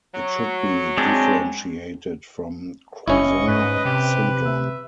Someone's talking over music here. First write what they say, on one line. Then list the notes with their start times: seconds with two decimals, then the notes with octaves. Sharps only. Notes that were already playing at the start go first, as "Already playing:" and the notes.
It should be differentiated from Crouzon syndrome.
0.14 F#3
0.97 G#3 C4 D4
3.08 F#1 C#4 E4 D#5 C#6
3.48 G#2 B4
3.85 C3 G4
4.45 E5